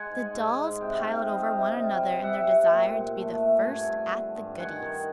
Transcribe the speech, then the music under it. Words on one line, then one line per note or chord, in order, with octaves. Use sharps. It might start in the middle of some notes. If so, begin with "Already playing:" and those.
The dolls piled over one another in their desire to be the first at the goodies.
Already playing: G#3 F#5 G#5
G#2
G#2
G#2
C3 G5
F#5
F5 G5
C3
F3 D#5 F5
C3
G3
G3
G3 E5 F#5
C3
A#2
A#2
A3
A3
G2 F#5 G#5
G2
D3
G2
D#3 F#5 G#5
D#3